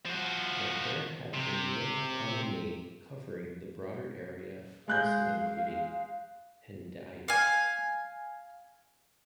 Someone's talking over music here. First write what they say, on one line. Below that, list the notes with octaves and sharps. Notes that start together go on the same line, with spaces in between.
But there had been no common name covering the broader area also including Hendaia.
F3 F#4
C3
G#3 F5 F#6 G6
F5 G#5